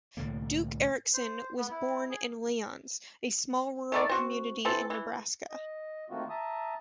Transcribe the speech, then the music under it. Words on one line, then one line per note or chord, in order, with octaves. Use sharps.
Duke Erikson was born in Lyons, a small rural community in Nebraska.
C2 A2 D3 A#3
C5
B3
E4
G#4
D#3 A3 D5
C4 F#4
E3 C4 A4
E3
D#5
D#3 A3 A#3 C4 F4 F#4
E5 A5 A#5 D#6